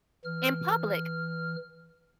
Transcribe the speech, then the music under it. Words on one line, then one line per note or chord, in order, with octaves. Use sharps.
In public.
E3 F6